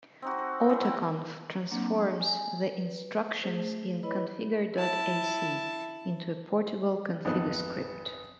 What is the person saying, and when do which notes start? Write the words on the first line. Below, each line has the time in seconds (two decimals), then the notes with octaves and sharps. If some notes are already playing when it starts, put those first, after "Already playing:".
Autoconf transforms the instructions in "configure dot ac" into a portable configure script.
0.22 C4 D#4 F#4
0.38 A4
0.69 E3 F#3
0.82 C4 E4 A4
1.71 F#3 A#3 C4 D4
2.19 G#5
2.62 B4
3.43 A3 G#4 C5
4.03 E4 B4 C#5 D#5 B5
4.74 E4 A5
7.25 G#1 F2 B3 B4